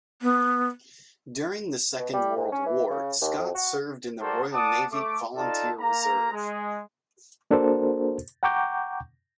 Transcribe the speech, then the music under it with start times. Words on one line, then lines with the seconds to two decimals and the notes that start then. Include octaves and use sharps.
During the Second World War, Scott served in the Royal Navy Volunteer Reserve.
0.22 B3
1.98 B2
2.13 G3
2.36 G#2
2.52 C#4
2.66 E3
2.90 C#3
3.21 D#2
3.38 F2
3.55 F#4
4.21 G3 F#4 A4 A#4 C5 D5
4.53 D5 F#5 A5 D6 D#6
4.92 A3 D6
5.35 D#4 F4 A4 D5 A5
5.79 A#3 A#5
6.32 G#3
7.51 A#3 D4 F#4 A4 A#4 C5
8.43 F#5 G5 A#5 C#6 D6 G6